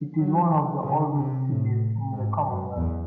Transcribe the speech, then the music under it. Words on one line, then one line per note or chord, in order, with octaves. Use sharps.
It is one of the oldest cities in the Commonwealth.
F#3
E3
C#3
C3
A2
G#2
F#2
E2